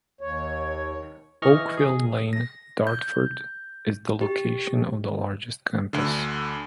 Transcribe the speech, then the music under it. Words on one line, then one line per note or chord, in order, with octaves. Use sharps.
Oakfield Lane, Dartford is the location of the largest campus.
D#2 C#5
E3 D#5 C#6 F6
G#4
A#6
G6
G4
D2 D3